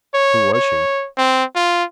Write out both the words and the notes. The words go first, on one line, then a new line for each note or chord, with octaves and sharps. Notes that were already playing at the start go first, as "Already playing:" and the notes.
"Who was she?"
C#5
C#5
C4
F4